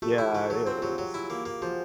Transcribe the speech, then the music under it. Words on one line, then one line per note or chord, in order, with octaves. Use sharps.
Yeah, yeah, it is.
A3 F4 G4
E4
A3
F#3
G#4
C4 F4 G4
F#3 F4 G4
F#3 F#4 G#4
E4
A#3
A#3
F3 F#4 G#4